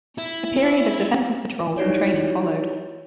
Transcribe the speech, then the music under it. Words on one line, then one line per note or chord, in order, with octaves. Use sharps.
A period of defensive patrols and training followed.
E4
D#4 E4 F#4 G4 C#5 D5